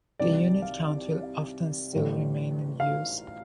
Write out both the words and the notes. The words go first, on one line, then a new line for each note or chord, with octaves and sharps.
The unit count will often still remain in use.
C2 C3 D#3 G3 D5
F5
A1 A2 G3
F5